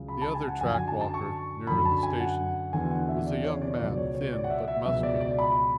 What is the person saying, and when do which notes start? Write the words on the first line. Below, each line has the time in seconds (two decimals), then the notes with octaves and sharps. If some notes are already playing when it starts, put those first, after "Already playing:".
The other track-walker, nearer the station, was a young man, thin, but muscular.
Already playing: C#2 C#3 F#3
0.08 B5
0.22 A5
0.35 G#5
0.48 F#5
0.61 F#2 D3 F#3 G#5
0.74 G#5
0.88 A5
1.01 A5
1.14 C#6
1.67 F#2 D3 F#3 B5
1.85 A5
2.03 G#5
2.20 F#5
2.73 E2 D3 F#3 G#5
2.91 F#5
3.09 E5
3.27 D5
3.44 C#5
3.62 D5
3.79 C#2 B2 F#3 D5
3.97 C#5
4.15 C#5
4.33 D5
4.44 F#5
4.50 E5
4.68 E5
4.85 C#2 B2 F#3 E5
5.03 D5
5.21 D5
5.39 B5